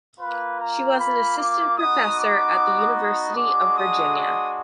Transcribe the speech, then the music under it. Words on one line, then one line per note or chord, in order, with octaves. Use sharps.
She was an assistant professor at the University of Virginia.
A#3 F4 B4
A#5
B5
D6
B3 D#4 F#4 D#6
D6
G#3 D4 F#4 D6
D#6
D#6